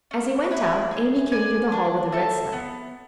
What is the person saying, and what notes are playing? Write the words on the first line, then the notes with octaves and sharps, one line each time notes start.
As he went out Amy came through the hall with a red sled.
C#4
E4 B4
G#4
D5 G#5
D4
A4 E5 A5
B3